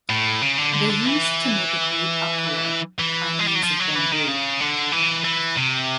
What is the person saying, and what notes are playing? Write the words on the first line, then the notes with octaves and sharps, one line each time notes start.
They used to make a great uproar by means of bamboo.
A2
C#3
D3
D3
D3
E3
E3
G#3
G3
F#3
F3
F#3
E3
D#3
C#3
D3
E3
E3
C3